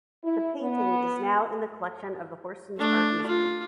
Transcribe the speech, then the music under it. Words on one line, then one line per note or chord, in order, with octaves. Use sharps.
The painting is now in the collection of the Horsens Art Museum.
E4
B3
A3 D4
F4